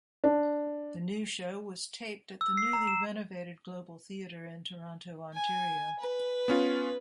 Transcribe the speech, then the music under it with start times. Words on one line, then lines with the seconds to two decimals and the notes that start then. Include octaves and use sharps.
The new show was taped at the newly renovated Global Theatre in Toronto, Ontario.
0.24 D4
2.41 E6
2.57 C7
2.73 A#5
2.87 E7
5.34 G#5
5.99 B4
6.48 B3 C#4 F4